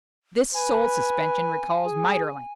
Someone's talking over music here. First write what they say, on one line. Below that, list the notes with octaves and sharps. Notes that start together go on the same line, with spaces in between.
This soul-suspension recalls Maeterlinck.
B4 G#5
G#4